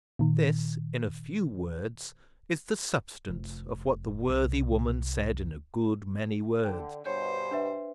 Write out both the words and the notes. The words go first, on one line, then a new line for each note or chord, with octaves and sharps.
This, in a few words, is the substance of what the worthy woman said in a good many words.
A#2 D#3
F1
C2
D3 G5
G2 B2 C5 C#5 G6
D4 B4 E5